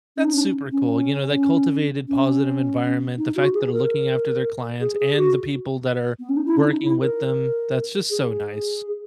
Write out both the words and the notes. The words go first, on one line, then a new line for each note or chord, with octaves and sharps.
That's super cool. You know, that cultivated positive environment, the fact that are looking after their clients and the people that are working with them. That's just so nice.
C#4
D#4
C#4
C#4
C#4
D#4
F#4
G#4
A#4
G#4
G#4
F#4
B3
C#4
D#4
E4
C#4
D#4
E4
A#4
G#4